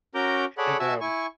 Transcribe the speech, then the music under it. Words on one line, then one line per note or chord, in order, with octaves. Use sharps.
and, um,
C#4 F#4 A#4 A#5 D6 G6
G#4 A4 C#5 D5 F#5 B5
F#4 E5 G#5 A5 E6
E4 G#5 C#6